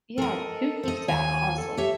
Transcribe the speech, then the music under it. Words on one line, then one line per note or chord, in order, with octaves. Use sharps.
Yeah, who keeps that, ho honestly?
A4 A#4 D#5
C5 D#5
D#2 G#5
A4
G4 C#5 E5